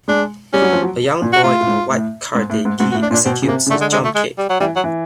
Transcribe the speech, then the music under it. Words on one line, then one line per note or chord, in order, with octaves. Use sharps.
A young boy in a white karate gi executes a jump kick.
G#3 D4
G3 C#4
F#3
F3
F#3
A#2
F#4
A2 F4
A2
G#2
A2
G#2
A2
G#2
G#2 F#4
F#4
A2
D4
A#2
D4
B2 C4
C#3
C3 A#3
C#3
D3 A3
G#3
G#3
A3
G#3
G3
F#3
E3 G3
F#3
E3